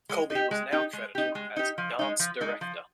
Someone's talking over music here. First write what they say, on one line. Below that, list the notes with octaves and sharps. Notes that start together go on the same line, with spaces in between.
Colby was now credited as "Dance Director".
G#3
D#4
G4
G#3
D#4 G4
G#3
D#4 G4
G#3
D#4 G4
F3
G#3 D#4
F3
G#3 D#4
F3